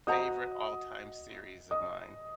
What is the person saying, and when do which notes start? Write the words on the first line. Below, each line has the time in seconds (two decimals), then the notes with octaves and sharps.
favorite all-time series of mine.
0.07 F#4 C5 D#5 F#5 A#5 D#6
1.71 D#5 D#6